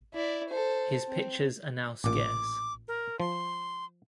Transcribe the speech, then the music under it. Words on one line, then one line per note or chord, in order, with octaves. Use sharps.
His pictures are now scarce.
E4 D5
A4 C5
C4
A1 A#2 D6
A#4
F3 C6